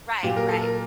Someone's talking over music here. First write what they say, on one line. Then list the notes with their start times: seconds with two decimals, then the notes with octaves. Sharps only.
Right, right.
0.23 A#2 F#3 G4
0.36 A#4
0.49 A4
0.61 A#4